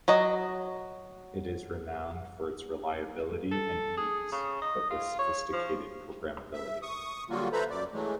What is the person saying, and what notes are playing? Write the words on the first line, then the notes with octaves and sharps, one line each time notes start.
It is renowned for its reliability and ease, but with sophisticated programmability.
F#3 F#4 D#5
A4
G#4
C#3
D#5
F4
C#5
F3
E5
C#6 D#6
D3 F#3 G3 A#3 F4 F#4
A4 B4 C5 E5 A#5 B5
F#2 D5
E3 F#3 G#3 A3